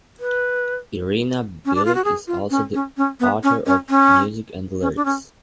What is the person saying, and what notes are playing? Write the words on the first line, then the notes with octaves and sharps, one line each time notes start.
Iryna Bilyk is also the author of music and lyrics.
B4
C#4
D4
F4
F#4
G#4
F4
C#4
C#4
C#4
B3
C#4
C#4
C#4
C#4
D4
C#4